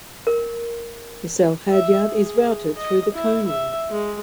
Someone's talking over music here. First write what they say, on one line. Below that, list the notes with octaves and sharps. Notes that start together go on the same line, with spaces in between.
The sail halyard is routed through the coaming.
A#4
E5
G#4
D#5
E4
E5
G#3